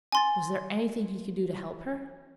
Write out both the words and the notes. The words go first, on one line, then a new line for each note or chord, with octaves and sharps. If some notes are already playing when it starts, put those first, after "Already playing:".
Was there anything he could do to help her?
G#5 C6 A6